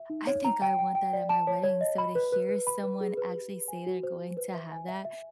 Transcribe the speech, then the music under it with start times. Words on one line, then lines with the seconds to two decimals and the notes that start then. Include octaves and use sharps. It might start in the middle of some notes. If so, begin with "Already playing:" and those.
"I think I want that at my wedding." So, to hear someone actually say, they're going to have that,
Already playing: E5
0.10 D#4
0.27 C#5
0.45 A#5
0.62 G5
0.79 G5
0.95 G5
1.13 D5
1.29 A5
1.47 C#5
1.63 C#5
1.81 D#5
1.98 B5
2.15 B4
2.32 B4
2.49 B4
2.67 B5
2.83 B4
3.01 G#4
3.17 B4
3.35 G4
3.51 B4
3.68 G#5
3.86 F#4
4.03 C5
4.20 C5
4.37 B4
4.54 E5
4.72 G#5
4.88 E5
5.05 E5